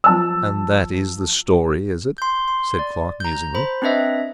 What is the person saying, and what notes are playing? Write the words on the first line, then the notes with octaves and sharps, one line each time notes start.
"And that is the story, is it?" said Clarke musingly.
F3 A5 E6
C6 G6
C6
D5
A#5 G6
C5 B5
C4 D4 B4 D#5 E5